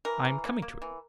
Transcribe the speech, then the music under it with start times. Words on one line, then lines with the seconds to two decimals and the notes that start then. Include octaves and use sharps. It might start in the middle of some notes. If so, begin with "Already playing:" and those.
I'm coming to it!
0.05 E3 A#4
0.25 E3
0.44 A#3
0.62 A#3
0.82 E3